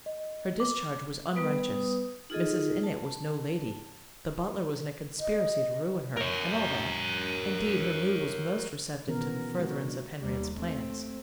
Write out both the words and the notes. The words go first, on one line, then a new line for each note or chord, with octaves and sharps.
Her discharge was unrighteous; Mrs. Innitt was no lady; the butler was in a conspiracy to ruin her--and all that; indeed, her mood was most receptive to the furtherance of Henriette's plans.
D#5
D6
G3 B3 B4 D#6
D#4 F4 G#4 A4 D#5
A5
D#5
A#4 C#5
B2 D#3 E3 B3 C#4 A#4
G#3 F#4
C#3 D4
D#2 G3
A3 C4